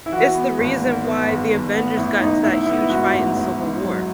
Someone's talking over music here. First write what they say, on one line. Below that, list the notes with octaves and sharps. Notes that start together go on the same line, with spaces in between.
it's the reason why the Avengers got into that huge fight in Civil War
E4
E3 F#4
B3
G#1
G#2
B3
G#1
G#1
B3
A1 E4
A1 D#4
A1 E4
B3 E4
G#2 F#4
A1
A1
G#2
F#3